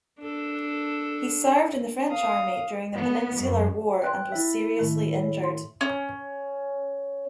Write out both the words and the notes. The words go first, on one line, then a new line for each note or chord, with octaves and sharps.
He served in the French army during the Peninsular war and was seriously injured.
D4 A4
F5 D#6
B3
F#2
B4 D5 G5 C6 F#6
E4 E5
A2 D#3 A3
A4 C#5
C6
C#4